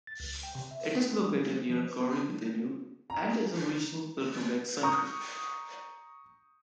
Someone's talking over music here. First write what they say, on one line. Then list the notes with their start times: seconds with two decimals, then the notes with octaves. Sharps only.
It is located near Gauribidanur, and is a regional piligimage center.
0.07 A6
0.20 C#2
0.43 G5
0.55 C3
0.71 E5
0.94 A3
1.09 D4
1.31 F#3
1.53 C5
1.70 F3
1.85 C5
2.00 B3
3.10 A#5
4.83 A#5 C#6 D#6 G6